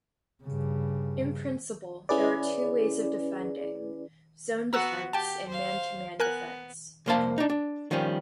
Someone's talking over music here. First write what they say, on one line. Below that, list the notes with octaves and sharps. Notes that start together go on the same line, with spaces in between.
In principle, there are two ways of defending, zone defence and man-to-man defense.
G2 C#3
C#4 E4 G#4 B4 D5
B3 F#4 A#5 E6 F#6
G4 G5 A5
C5 F5
B3 A#4 G#5 F#6
C2 F2 A#3 C5 F5 A5
D4 D#4
D4
D#3 F3 G3 C#4